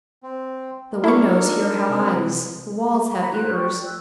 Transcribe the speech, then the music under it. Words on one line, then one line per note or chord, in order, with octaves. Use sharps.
The windows here have eyes, the walls have ears.
C4
A#3
D4 E4 A4 A#4 C#6
D#4
C3
A#4 F#5 A#5 B5
C5 F#6
G4 G5 C#6
D5
G5 E6 F#6